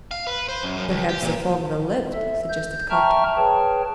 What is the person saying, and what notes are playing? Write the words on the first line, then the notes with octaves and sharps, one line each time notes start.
"Perhaps the fog will lift?" suggested Carter.
F5
B4
C5
F#2
F#2
C#2
G4
A#2
A4 E5
G6
E5 G5 A5 A#5 C#6 F6
G#4 B4 C#5 G5 A5